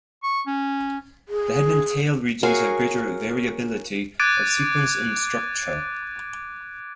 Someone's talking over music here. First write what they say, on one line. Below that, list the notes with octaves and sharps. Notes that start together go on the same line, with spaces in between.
The head and tail regions have greater variability of sequence and structure.
C#6
C#4
G#4
F#4 G#4 A#4 C#5 F5 G#5
D6 F#6 G#6 A6 D7 D#7